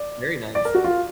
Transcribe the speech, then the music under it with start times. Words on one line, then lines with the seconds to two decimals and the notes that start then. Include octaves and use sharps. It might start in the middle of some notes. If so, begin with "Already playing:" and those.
Very nice.
Already playing: D5
0.55 D5
0.65 A#4
0.75 F#4
0.84 F4